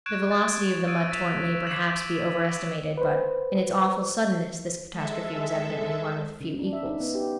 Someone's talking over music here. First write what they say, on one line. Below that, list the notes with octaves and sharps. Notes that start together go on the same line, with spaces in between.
The velocity of the mud torrent may perhaps be overestimated, but in its awful suddenness this catastrophe was evidently one with few equals.
C#6 F#6 G#6 D7 E7
A6 E7
D#6 E6 G#6 A6 D7 D#7
E6 A6 B6 E7 F7
D6 G#6 B6 E7 F#7
B4 C5
G#3 A4 E5
C#3
D4
E5
D#4
B3
G4